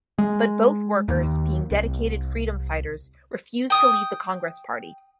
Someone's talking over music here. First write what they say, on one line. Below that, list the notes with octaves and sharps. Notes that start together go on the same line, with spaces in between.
But both workers, being dedicated freedom fighters, refused to leave the Congress Party.
G#3
D#2
C2
G5 D#6